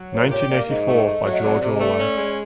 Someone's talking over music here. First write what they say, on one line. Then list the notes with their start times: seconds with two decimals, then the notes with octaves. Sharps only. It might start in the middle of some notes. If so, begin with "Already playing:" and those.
Nineteen eighty-four by George Orwell.
Already playing: F#3
0.13 A#2 C#5
0.31 G4 C#5
0.49 A#3 D5
0.68 G#2 D#5
0.87 A3
1.06 A3
1.24 F#3
1.32 D#5
1.42 C3 D5
1.61 C3
1.75 D#5
1.79 A3 D5
1.99 C#4
2.17 G#3